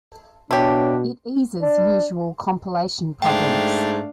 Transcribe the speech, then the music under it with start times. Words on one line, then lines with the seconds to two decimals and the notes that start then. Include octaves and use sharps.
It eases usual compilation problems.
0.51 B2 D4 E4 G4 C#5 A5
1.61 D4
3.22 G#2 A3 D4 F5 G5